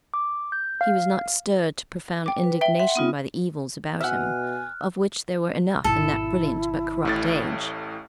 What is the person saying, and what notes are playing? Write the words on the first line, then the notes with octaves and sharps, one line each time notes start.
He was not stirred to profound indignation by the evils about him, of which there were enough in that brilliant but corrupt age.
D6
G6
F5
G5 D6
B4
E5 G5 G7
E5 F#5 C6
B3 D#4 F4
B2 E5 F#5 G#5 F6 F#6
G#1 B2 E4 A4
A1 A2 A6